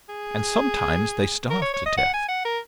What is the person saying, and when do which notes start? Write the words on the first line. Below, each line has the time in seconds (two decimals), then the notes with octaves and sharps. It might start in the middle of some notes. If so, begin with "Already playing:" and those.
And sometimes they starve to death.
0.09 G#4
1.50 A#4
1.62 C#5
1.74 C#5
1.86 D#5
1.98 F#5
2.14 G#5
2.29 F#5
2.45 A#4